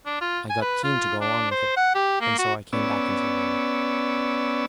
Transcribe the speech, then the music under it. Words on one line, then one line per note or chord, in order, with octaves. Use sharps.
I got keen to go on with it, and so I came back into the world.
D4
F4
G#5
B4
F4
D4
C5
F#5
G4
A#3
F#4
B3 C#4 D5 E6